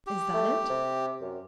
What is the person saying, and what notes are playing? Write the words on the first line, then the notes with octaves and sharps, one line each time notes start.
Is that it?
G4
A3
C3
F#2